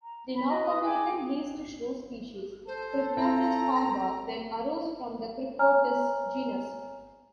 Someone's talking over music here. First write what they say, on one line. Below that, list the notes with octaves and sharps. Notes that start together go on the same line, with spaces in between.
The North American least shrew species, "Cryptotis parva", then arose from the "Cryptotis" genus.
A#5
B5
F#4 D#5
B4 D#6
G#4 G5 G#5 D6
A4 C5
C4 A#5
C#5 G#5 A#5 F6